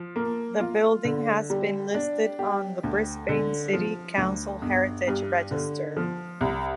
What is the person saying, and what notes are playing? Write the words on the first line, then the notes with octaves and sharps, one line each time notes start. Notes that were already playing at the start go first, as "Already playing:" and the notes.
The building has been listed on the Brisbane City Council Heritage Register.
Already playing: F3
A#3
F4
D3
G3
D4
G4
D2
D3
F3
D2
G1
G2
D3
F3
C2